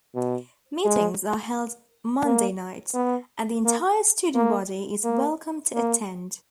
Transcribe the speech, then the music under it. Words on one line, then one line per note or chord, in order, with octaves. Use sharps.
Meetings are held Monday nights, and the entire student body is welcome to attend.
B2
G#3
A#3
B3
A#3
A#3
A#3
A#3